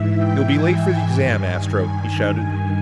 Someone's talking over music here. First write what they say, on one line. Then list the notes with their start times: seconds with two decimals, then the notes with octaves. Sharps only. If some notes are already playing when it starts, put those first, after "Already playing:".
"You'll be late for the exam, Astro!" he shouted.
Already playing: G#2 E3 E5
0.16 G5
0.48 G#5
1.13 G2 D#3